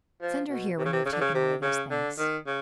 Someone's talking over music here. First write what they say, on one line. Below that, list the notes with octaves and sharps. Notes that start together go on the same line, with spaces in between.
"Send her here when you have taken away those things."
F3
B2
C3
C#3
C3
C#3
D3
C#3
C3
C#3
D3
D#3
C#3